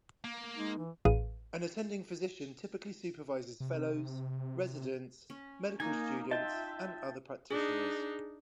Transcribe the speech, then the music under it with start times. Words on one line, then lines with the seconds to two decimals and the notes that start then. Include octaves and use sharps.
An attending physician typically supervises fellows, residents, medical students, and other practitioners.
0.24 A#3
0.56 G#3 D#4
0.77 E3
1.05 A1 A2 G#4 B4 F5 D#7
3.60 C3
5.30 C#4
5.80 A#3 D#4 G#5
6.31 F4 D#5 E5 G5 A5
7.51 D4 D#4 G#4